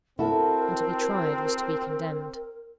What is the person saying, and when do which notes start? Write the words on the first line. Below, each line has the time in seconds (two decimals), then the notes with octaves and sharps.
And to be tried was to be condemned.
0.19 C4 E4 F#4 A4 A#4